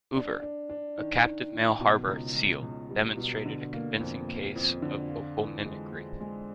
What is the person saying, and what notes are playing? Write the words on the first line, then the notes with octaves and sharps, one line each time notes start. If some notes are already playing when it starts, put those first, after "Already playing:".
"Hoover", a captive male harbor seal demonstrated a convincing case of vocal mimicry.
D4
D4
D4
D#3
D#3
D#3
B2
C#2
C#2
C#2
G3
B2
D3
A#3
F2
A#3
F2
D3
F4
E3
G#3
G#3
G#3